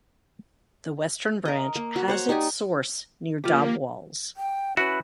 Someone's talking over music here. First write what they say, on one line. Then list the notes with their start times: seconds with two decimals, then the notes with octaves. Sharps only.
The western branch has its source near Dobwalls.
1.45 A#4 D#5
1.76 A#3
1.96 F#4
2.08 C5 C#5 F#5
2.29 D#4 G4 D5 G#5
3.44 F3 A#3 G4
4.37 G5
4.77 C#4 E4 F#4 B4